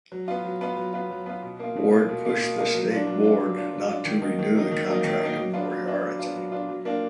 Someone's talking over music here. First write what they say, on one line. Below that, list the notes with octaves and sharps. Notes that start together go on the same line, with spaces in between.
Ward pushed the state board not to renew the contract of Moriarty.
F#3
B3 F4
F#3
B3 F4
F#3
B3 F4
F#3
B3 F4
B2
A#3 F4
B2
A#3 F4
B2
A#3 F4
B2
A#3 F4
F#3
D4 F4
F#3
D4 F4
F#3
D4 F4
F#3
D4 F4
D#3
F#3 A#3 D#4
D#3
F#3 A#3 D#4
D#3
F#3 A#3 D#4
D#3
F#3 A#3 D#4
F#3
B3 D4 F4
F#3
B3 D4 F4
F#3
B3 D4 F4
F#3
B3 D4 F4
F#3
A#3 D4 F4